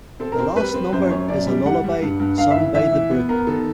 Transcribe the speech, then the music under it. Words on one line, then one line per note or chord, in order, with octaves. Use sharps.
The last number is a lullaby sung by the brook.
C4 A4
A#4
C4
G3 B4
C4
F#2 C5
F#2 C#5
F#2 D5
G3
G3 F#5
G3
G2
G2
G2 F5
E5
E3
E3 E5
E3
B3
B3 A#4
D#3 A4